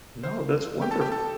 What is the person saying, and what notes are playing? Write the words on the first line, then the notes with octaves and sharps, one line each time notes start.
No, that's wonderf
C5
G4 G5
A4 A5
G4 G5
A4 A5